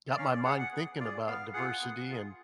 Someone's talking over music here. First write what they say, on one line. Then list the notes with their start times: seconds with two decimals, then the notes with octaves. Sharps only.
got my mind thinking about diversity and
0.10 D5
0.18 C#4 F5
0.31 D5
0.45 G#4 F#5
0.59 F#5
0.72 B3
1.00 F4 G#4 D5
1.27 B3 F5
1.54 F4 G#4 F#5
1.82 B3
2.09 F4 G#4